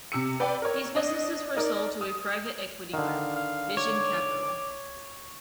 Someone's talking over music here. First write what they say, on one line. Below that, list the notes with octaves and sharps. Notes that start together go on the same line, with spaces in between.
These businesses were sold to a private equity group, Vision Capital.
C3 E6 C#7
B4 D5 G5
A#4 C#5
D4 D5 D#5
D#4 A#4 D5
D#6
D3 D#3 F5
F5
C#5 D6